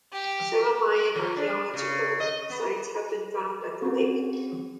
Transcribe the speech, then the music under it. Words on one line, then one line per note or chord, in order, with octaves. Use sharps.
Several Mayan archaeological sites have been found at the lake.
G4
F3
D4
C#3
D#5
B3
C4 C#4 F#4 G#4